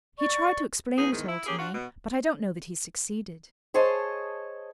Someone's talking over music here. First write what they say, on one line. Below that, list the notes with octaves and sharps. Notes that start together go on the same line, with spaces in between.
"He tried to explain it all to me; but I don't know that he succeeded."
D5 C#6
E2 B3 D#4 G#4
E2 G#2 D#3
E4
A#3 C#4 G4 G#4
D4 F4 F#4
B2
G#4 C5 C#5 D#5 A5